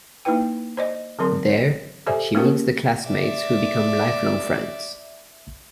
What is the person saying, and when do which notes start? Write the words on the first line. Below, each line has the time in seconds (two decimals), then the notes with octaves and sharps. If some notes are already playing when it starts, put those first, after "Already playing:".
There, she meets the classmates who become lifelong friends.
0.25 A#3 D#4 E4 B4 G5
0.77 C5 D5 D#5
1.19 D3 F#3 C4 A#4 C6
1.48 C#5
2.06 G4 A4 C5 D5 E5 G#5
2.35 A#3 B3 C#4 F4 G4 A#4
3.07 D5 E5